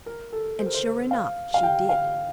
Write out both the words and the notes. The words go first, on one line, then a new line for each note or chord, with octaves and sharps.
And sure enough, she did.
A#4
A4
C5
A#4
C5
F5
F5
G5
F5